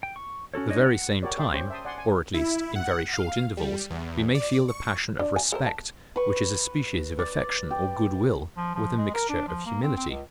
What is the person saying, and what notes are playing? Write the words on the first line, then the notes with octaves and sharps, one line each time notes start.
At the very same time, or at least in very short intervals, we may feel the passion of respect, which is a species of affection or good-will, with a mixture of humility.
G5
C#6
C#4 F#4 A4 C#5
G#3 D4 D#4 C#5 D#5
F#5
F#4 G4 A#4 C#5 D5
G4 D5 E5 G5 C6
C#4 G4 C5 C#6
E5 G5 A5 C6 D#6
D5 F#5 G#5 C6
G#5
E4
F#5
F5
G3
E2
D5
C#6
D4
G#5
A4 A#4 C5
A5
B4 C#6
D5
G4
F3
F3
G#3
A#4
D4
F3
A#3
C4
C4
C#2